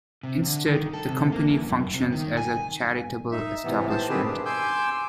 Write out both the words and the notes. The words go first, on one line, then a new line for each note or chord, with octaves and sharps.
Instead, the Company functions as a charitable establishment.
C3
D3
D#3
A4
C3
A#3
E2
F#2
C3
D#3
G#5
D#4 E5
A2 C3 E3 B3
C5 A5
B2 D#3 C4 G4 G#4 B4
G2
G#5 C6 D6 E6 G6